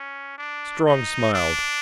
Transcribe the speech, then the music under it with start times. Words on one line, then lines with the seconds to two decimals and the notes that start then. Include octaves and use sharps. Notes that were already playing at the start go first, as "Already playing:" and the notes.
Strong smiled.
Already playing: C#4
0.38 D4
0.86 D#4
1.34 D4